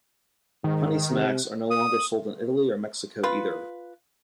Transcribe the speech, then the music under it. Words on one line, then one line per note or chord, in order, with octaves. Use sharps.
Honey Smacks are no longer sold in Italy or Mexico either.
G#2 D#3
C3
D#6
F4 B4